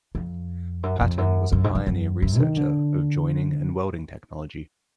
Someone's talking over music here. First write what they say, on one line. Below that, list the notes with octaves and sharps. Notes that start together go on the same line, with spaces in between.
Paton was a pioneer researcher of joining and welding technology.
F2
F#2
F2
F#2
F#2
G#2
F#2
F#2
F#2
D#3
D3